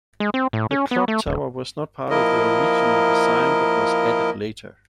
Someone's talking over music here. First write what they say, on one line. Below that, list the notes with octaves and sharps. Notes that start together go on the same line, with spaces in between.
The clock tower was not part of the original design, but was added later.
G#3
C4
A2
C#4
B3
A3
D#1
F3 A#3 E4 A#4 D#5